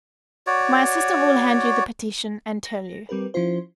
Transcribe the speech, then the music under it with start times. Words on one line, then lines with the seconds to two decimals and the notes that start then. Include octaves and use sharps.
"My assistant will hand you the petition and tell you."
0.47 F#4 C#5 D5
2.65 A#6
3.09 G3 C4 G4 A#4 B4
3.34 F3 C#4 E4 F4 C5